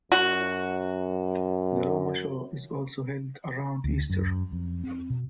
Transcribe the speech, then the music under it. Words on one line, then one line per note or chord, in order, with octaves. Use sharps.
The Roma Show is also held around Easter.
F#2 F#4
D2
F#2
F2
C4
B2